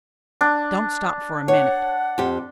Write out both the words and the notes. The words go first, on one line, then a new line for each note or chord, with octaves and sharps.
Don't stop for a minute.
D4
C#5 F#5
F2 G4